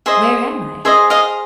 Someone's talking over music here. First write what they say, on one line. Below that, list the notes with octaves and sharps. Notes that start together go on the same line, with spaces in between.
"Where am I?"
G#4 C5 D#5 E5
G#4 C5 D#5 E5
D#5 F5